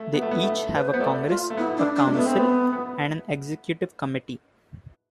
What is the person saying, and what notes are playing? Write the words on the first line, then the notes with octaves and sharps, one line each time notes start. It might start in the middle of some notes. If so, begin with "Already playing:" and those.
They each have a congress, a council, and an executive committee.
Already playing: A3
B3
A3
B3
A3
B4
C5
B3
A3 D5
F4
A3
B3 E4
D4
D4
G#3
A3 B3
C4
B3
B3